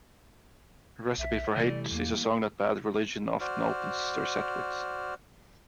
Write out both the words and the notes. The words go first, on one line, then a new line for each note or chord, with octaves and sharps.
"Recipe for Hate" is a song that Bad Religion often opens their set with.
B1 E5
C3 E3 G3 A3 D5
E2 A#3
F#4 C5 D5 F6